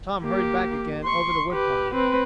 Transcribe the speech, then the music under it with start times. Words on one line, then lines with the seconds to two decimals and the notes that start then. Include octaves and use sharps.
Tom hurried back again over the wood pile.
0.22 A#3 G4
1.04 C6 C#6
1.52 G4 B4
1.95 C4 B4